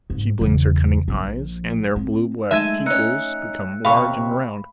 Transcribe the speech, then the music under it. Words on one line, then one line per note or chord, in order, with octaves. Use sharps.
She blinks her cunning eyes, and their blue-black pupils become large and round.
G#2
F#1 E2
A#1 F3
C4
G#3 A3 D#4 E5 G#6 D#7
C#4 D#4 E6 F#6 C#7
D#2 C3 F5 B5 C#6